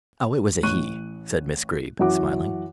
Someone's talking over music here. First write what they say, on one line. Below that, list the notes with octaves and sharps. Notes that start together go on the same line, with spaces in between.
"Oh, it was a 'he,'" said Miss Greeb, smiling.
A1 C#6 F#6 D#7
F#2 E3 F#4 F#5 D6